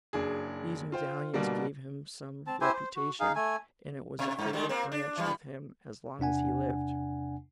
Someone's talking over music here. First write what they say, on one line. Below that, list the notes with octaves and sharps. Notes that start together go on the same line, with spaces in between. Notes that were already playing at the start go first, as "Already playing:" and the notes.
These medallions gave him some reputation, and it was a favorite branch with him as long as he lived.
F#1 D4 G#4
F4 C5 G5
B2 D3 G3 A#3
C4 A5
E4 G4 C5 G#5
C5
F#4
D#4 G#4 F5
A3 G#5
B2
G2
D3 G3 G#3
A#3 C4
D4
E3 G3
E2 C3 D4 F#5 G#5